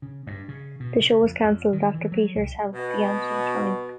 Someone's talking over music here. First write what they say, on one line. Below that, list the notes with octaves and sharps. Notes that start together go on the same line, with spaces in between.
The show was canceled after Peters' health began to decline.
C#3
G2
C#3
B2
C#3
F2
F2
D#3
E3
F#3
C2
B2